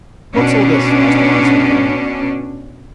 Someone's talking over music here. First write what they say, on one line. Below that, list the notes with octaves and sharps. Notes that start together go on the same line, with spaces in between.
'What's all this?' asked the policeman again.
B2 C#4 D4